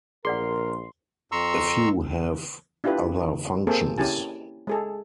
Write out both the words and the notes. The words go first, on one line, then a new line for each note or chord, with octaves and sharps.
A few have other functions.
A#1 G#4 A#4 D5 F#5 C6
F2 A#5 C6 C#6 E6
D4 E4 F4 G4 B4
A#3 C4 G#4 A4 C5
C#4 E4 G4 G#5 A5
G#3 G#4 A4